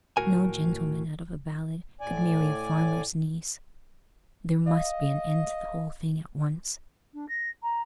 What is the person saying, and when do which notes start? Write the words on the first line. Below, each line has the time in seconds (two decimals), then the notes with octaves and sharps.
No gentleman, out of a ballad, could marry a farmer's niece. There must be an end to the whole thing at once.
0.17 D2 A2 F#4 A#4 G#5
2.01 A2 D5 G#5
4.67 D#5 F5
7.14 D4
7.28 A#6
7.62 A#5